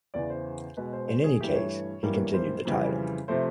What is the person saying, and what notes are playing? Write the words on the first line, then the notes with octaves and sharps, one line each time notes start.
In any case, he continued the title.
E2 C#3 E3 D5
C5
B2 G#3 B4
C5
C5
G#4
G2 E3 A3 G4
C#5
G2 E3 G3 A#3
C5
F2 C#3 E3 G3
C3 F3 A3 C5